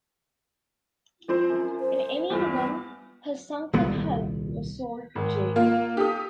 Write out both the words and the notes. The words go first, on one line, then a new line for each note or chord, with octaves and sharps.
In any event, her sunken hulk was sold to J.
F3 C4 F4 C5
F#2
C5
E2 G2 F4
B3
D#1 C2 G3 B3
G#1
A#3 F4
G4 A4 D#6